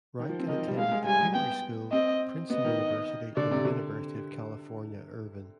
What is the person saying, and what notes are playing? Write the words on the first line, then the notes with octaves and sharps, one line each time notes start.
Reiken attended the Pingry School, Princeton University and the University of California, Irvine.
D#3
F3
C4
D#3 D#5
F3
G3
G#3 F5
G#3
G3 G#5
G#3
B3 G5
C4 D#5
B3 D#5
D#3
D3 D5
C3
D3